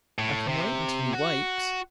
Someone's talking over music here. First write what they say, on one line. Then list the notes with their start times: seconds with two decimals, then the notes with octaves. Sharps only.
"I can wait until he awakes."
0.19 A2
0.48 C3
1.14 F#4